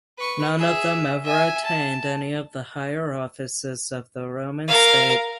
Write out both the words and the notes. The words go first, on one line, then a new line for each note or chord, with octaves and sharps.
None of them ever attained any of the higher offices of the Roman state.
B4 C#6
G#4 E5
E5 G#5
A5
A#4 F5